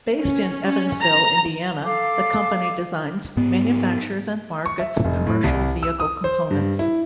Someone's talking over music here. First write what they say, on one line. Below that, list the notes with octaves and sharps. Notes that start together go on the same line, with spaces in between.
Based in Evansville, Indiana, the company designs, manufactures and markets commercial vehicle components.
C#4
C#4
A#5
A4 F5 D6
G#2 B3
C#6
E5
F1
A2
C2
E6
D#6
C5
G2
E4